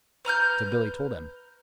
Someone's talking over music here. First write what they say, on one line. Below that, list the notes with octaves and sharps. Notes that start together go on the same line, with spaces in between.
So Billy told him.
B4 A#5 F6 G6